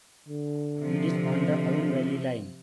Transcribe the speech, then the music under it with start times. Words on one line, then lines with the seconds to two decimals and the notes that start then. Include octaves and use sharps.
It is on the Arun Valley Line.
0.28 D3
0.78 C3 F3